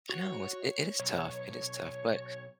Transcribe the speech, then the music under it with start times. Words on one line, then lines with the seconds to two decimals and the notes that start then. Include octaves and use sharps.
I know, it's it is tough. It is tough, but
0.09 F#4 C#5
1.00 B1 C#5